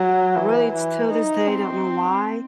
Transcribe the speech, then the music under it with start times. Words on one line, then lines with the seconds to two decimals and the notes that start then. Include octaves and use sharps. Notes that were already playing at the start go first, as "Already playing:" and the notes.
Really, it's till this day, I don't know why,
Already playing: F#3
0.36 E3
0.73 E3
1.10 D#4
1.48 C4